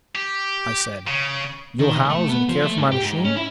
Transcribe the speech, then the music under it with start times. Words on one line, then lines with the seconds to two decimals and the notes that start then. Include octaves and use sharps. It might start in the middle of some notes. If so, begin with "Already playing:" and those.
I said, "You'll house and care for my machine?"
0.15 G4
1.08 C#3
1.79 D#3
1.96 B1
2.09 A3
2.29 B3
2.49 F3
2.63 A3
2.78 G#2
2.92 G4
3.03 G#2
3.24 C#4
3.36 E4